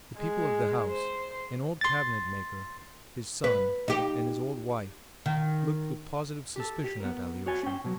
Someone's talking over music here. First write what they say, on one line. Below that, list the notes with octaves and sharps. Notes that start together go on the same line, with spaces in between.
The people of the house, an old cabinet-maker, his son, and his old wife, looked with positive suspicion at Alyosha.
G#3
C5
C6 A6
B4
D#4 G4
D#3
G4 A4
G4
B3 A#4
F#4 C#5 G#5
C#4 G5
B2 F#3